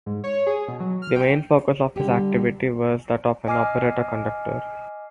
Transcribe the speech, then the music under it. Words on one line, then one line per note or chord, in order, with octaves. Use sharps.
The main focus of his activity was that of an operetta conductor.
G#2
C#5
G#4
B2
F#3
F6
G5
D3 G3 G4
D#5 G#5 D6 F6 C7